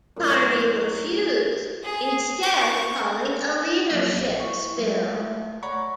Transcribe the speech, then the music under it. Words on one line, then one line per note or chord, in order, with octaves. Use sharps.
Carney refused, instead calling a leadership spill.
F#2 A2 F5
G#4
C#6
F3 F#3 A#3
A#1
E4 C#6
F#3 G#3 F4 E5
A3
C#5 D5 F#5 A#5 B5 C#6